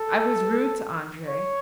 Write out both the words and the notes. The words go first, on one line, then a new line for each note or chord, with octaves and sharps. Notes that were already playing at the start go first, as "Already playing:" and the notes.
"I was rude to Andrey!"
Already playing: A4
C#5